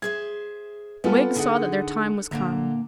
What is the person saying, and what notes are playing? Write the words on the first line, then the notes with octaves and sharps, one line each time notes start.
The Whigs saw that their time was come.
G#4 C5 E5 G#6
G3 B3 F4 G4 A4 G#5
D3 D#4 G#4 A4 F#5
A#2 D3 A#3 A#5